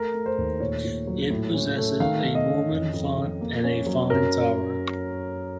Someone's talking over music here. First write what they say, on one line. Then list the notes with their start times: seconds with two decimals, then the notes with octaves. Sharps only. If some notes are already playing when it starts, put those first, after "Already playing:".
It possesses a Norman font and a fine tower.
Already playing: A3 A#4
0.14 A3
0.26 C5
0.38 D#2
0.60 A#2 C#5
0.84 A#2
1.07 F#3
1.30 A2
1.54 C#4
1.77 A3
2.00 D#3 F5
2.24 D#3
2.35 D#5
2.48 C#4
2.71 F2
2.94 F2
3.17 F2
3.41 A#3
3.64 C#4
3.87 F#3
4.10 F#2 A#4